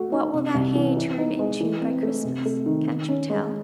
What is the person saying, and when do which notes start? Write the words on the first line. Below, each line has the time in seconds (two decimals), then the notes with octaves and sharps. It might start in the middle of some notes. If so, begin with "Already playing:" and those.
What will that hay turn into by Christmas? Can't you tell?
Already playing: A3 F#4
0.12 D#4
0.33 C3
0.54 C2
0.75 E3
0.97 E3
1.18 D#4
1.39 G#3
1.61 E3
1.82 C4
2.03 A3
2.24 C3
2.45 A3
2.66 D#3
2.87 D#3
3.09 C#4
3.30 G#3